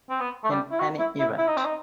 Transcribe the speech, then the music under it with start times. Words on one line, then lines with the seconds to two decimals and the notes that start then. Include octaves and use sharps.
In any event.
0.10 C4
0.20 B3
0.44 A3
0.51 G3
0.71 E4
0.80 F#4
0.99 E4
1.20 E4
1.38 E4
1.47 D#4
1.57 C4
1.65 D#4